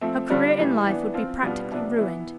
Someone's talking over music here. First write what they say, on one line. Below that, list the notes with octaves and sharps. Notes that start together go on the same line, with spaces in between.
Her career in life would be practically ruined.
F3 A3 C4
D3 G3 D4 F4
A2 E3 G3
E3 B3 D4
F3 C4 F4
B2 G3 B3 D4 F4
C3 F3 B3 D4
E3 B3 E4